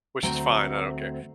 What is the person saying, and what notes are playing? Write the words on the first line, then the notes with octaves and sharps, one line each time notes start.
which is fine, I don't care,
D2 F#3 A3 C4 A#5